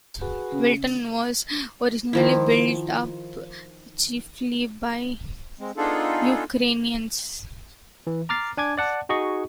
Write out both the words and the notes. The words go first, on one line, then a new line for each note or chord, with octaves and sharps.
Wilton was originally built up chiefly by Ukrainians.
F#4 G#4 B4
C#3
D#3 F3 E4
G#3 C4
B3 D4 D#4 F4 G#4 A4
E3
A#5 D6 F6 A6 C7
D4 G#5 D6 G#6
D5 F#5 A5
D#4 F#4 G#4 D#5 C#6